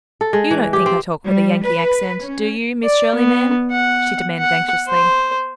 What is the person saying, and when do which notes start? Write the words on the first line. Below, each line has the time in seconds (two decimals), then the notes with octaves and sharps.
"You don't think I talk with a Yankee accent, do you, Miss Shirley, ma'am?" she demanded anxiously.
0.21 A4
0.33 G#3
0.51 E3
0.73 G4
0.86 C4
1.26 G3
1.65 B4
2.21 C#4
2.84 D5
3.15 B3
3.71 F#5
4.38 F#5
4.88 C5